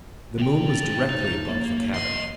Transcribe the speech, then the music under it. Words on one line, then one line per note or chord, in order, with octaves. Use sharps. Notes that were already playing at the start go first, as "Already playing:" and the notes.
The moon was directly above the cabin.
A2 G5
A5
D#4
A#3
E3 D#5 C6